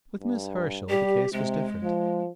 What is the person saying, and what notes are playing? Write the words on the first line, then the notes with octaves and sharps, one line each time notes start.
With Miss Herschel the case was different.
G2
G3 G4
C3 G#3
F3